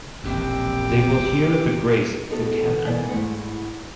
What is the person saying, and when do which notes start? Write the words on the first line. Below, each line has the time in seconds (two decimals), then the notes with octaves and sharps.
They will hear the grace of the cannon.
0.24 E1 A#1 F#2 C4 G4
2.30 B3 D#4 F#4 G4 A4
2.65 B2
2.84 D#2 B2 E3 A#3 D5 G#5
3.09 G#2 A3 E4 F#5